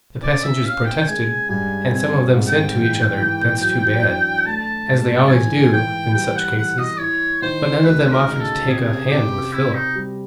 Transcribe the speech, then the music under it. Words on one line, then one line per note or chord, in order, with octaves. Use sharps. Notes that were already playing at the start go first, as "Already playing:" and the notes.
The passengers protested, and some of them said to each other, "That's too bad," as they always do in such cases, but none of them offered to take a hand with Philip.
C#4 D5
E5
C#4 F5
G5
G5
G#3 G#5
G2 G#5
C4 G#5
G#2
G5
E3
E3
F#3
D4
A3 A5
G#2 A5
E3 G#5
E3 G5
G3 G5
F#5
E3 F#5
D#5
E4 C#5
D#3 C5
D2 B4
A#4
C#3
A#4
A4
C3 G#4
C3 G4
C4 E4
D#4
G3